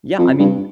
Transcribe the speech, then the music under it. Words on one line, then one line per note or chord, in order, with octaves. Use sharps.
Yeah, I mean
F2
G2